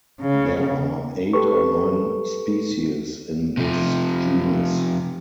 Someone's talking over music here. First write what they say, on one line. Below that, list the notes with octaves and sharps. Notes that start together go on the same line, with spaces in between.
There are eight or nine species in this genus.
C#3
G4 A4 B4 C#6
C3 F3